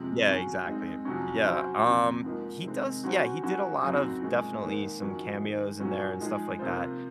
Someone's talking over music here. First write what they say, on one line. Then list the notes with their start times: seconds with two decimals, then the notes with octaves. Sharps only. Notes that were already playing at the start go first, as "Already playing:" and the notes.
Yeah, exactly. Yeah, um, he does Yeah, he did a lot of definitely some cameos in there and stuff like that,
Already playing: F2 C3 F3 G#3 C4
0.26 F#3 C#4 G#4
0.66 G#3 C4 D#4
1.05 F2 C3 F#3 C#4
1.45 F#3 C#4 F#4 C5
1.84 F2 C3 F3 C4
2.24 G#2 F3 A#3 D#4
2.64 C3 D#3 G#3 C4
3.04 F#3 C#4 F#4 C5
3.43 F#3 C#4 F#4
3.82 F#2 C#3 F#3 C4 D#4
4.22 A#2 G#3 C#4
4.62 G#2 D#3 A#3 D#4
5.01 F2 D#3 F#3 C#4
5.40 D#3 G#3 D#4
5.80 A#2 F#3 A#3 C#4
6.20 F3 G#3 D#4 G#4
6.59 C3 F3 A#3 F4 C5